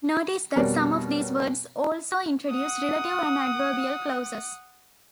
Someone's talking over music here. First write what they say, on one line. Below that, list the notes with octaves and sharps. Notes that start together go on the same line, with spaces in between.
Notice that some of these words also introduce relative and adverbial clauses.
F2 B2 G3 A#4 C#5
F#5 D#6